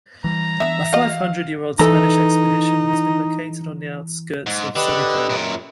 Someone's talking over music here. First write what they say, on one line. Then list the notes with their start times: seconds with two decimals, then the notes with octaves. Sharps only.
A five-hundred-year-old Spanish expedition has been located on the outskirts of Sunnydale.
0.24 E3 G3 A#5
0.60 E3 B3 D4 E5
0.93 F#4 D#5 F5
1.79 E3 D#4 A4 A#5
4.46 G#2
4.76 D3 G4 B4 D#5
5.30 F#2 A#2